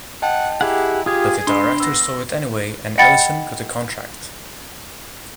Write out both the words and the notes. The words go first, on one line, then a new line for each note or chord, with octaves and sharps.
But the director saw it anyway and Ellison got a contract.
D#5 F#5 G5 A5
E4 G4 G#4 F#5
F4 G4 G#4 D#6 G#6
D4 B5 C6 C7
B3 E6 A#6
D#5 F#5 G5 B5 A6 C#7